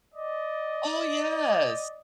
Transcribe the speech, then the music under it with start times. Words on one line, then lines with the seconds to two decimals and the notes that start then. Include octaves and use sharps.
Oh, yes.
0.13 D5 D#5